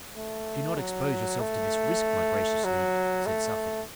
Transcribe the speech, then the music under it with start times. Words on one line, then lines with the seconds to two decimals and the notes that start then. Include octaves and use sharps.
"Do not expose yourself to this risk, my gracious liege," said Suffolk.
0.15 A3
0.78 F#3
1.40 A3
2.64 F#3
3.27 A3